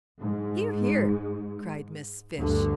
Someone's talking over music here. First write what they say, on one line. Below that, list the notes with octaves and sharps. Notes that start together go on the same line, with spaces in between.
"Hear! hear!" cried Miss Fish.
G#2
D2 G2 D3